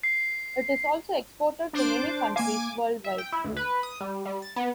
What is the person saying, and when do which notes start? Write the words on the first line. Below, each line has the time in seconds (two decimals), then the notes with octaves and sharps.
It is also exported to many countries worldwide.
0.03 C7
1.73 D4 C5 D6
2.36 A#3 F5 G#5 D6
3.04 E5
3.18 G5
3.32 E4
3.44 D2
3.57 B4
3.83 D#6
4.01 G3
4.25 G3
4.42 A6
4.56 B3